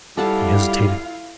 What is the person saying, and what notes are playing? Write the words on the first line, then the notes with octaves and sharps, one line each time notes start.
He hesitated.
G3 E4 F4 G4 A4 F5 F#5 A5